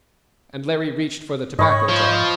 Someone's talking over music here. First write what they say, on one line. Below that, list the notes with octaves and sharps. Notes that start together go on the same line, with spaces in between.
And Larry reached for the tobacco jar.
G#2 C#5 D#5 B5 C#6
F3